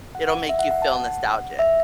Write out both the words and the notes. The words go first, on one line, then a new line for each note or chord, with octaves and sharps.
It'll make you feel nostalgic.
F#5
F#5
F#5
E5
F#5
F#5
A5
F#5
E5